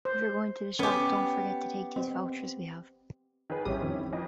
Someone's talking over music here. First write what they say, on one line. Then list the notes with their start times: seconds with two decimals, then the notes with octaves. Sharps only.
If your going to the shop don't forget to take those vouchers we have.
0.05 C5
0.79 B3 C#4 G4
1.96 C4
3.50 D#3 G#4 B4
3.65 A1 G3 C#4 E4 G4 D#6
3.81 F2 D#3 C4
4.13 F2 E3 D#5